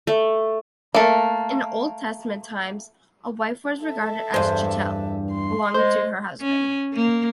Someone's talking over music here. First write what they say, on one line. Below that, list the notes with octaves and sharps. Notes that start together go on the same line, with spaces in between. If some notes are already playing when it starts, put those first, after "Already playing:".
In Old Testament times, a wife was regarded as chattel, belonging to her husband.
A3
A3 A#3
A4 E5
E2 G2 C5
C6
G#3 C5
C#4
A#3